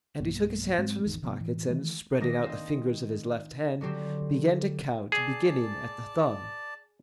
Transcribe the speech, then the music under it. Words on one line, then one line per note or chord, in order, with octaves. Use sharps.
And he took his hands from his pockets, and spreading out the fingers of his left hand, began to count, beginning at the thumb.
B1 G2 B2 A#3
G#2 F#3 G#3 C4
G#1 E2 D#3
C3 F3 B3
A2 E3
D#3 E3 A3
D#3 A#3 D4 A#6
C4 D#5
D3 F#3 C4 G4 C5
G#4 D5 A5